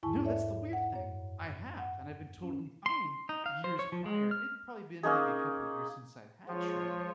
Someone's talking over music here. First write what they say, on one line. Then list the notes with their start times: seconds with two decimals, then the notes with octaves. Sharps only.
No, that's the weird thing, I have, and I've been totally fine years prior. It'd probably been maybe a couple years since I'd had shrimp,
0.03 E2 G#2 E4 G#5 A5 C#6
0.24 A4 C#5 D5 E5
0.73 F#5
0.94 F#2 C#5
1.78 F#5
2.43 C#4
2.86 C6
3.29 D#4
3.46 F5
3.64 C5
3.79 C#5
3.92 F3
4.06 G#3
4.31 F6
5.03 A#3 C#4 D#4 G#4
6.48 F3 G#3 F4 C#5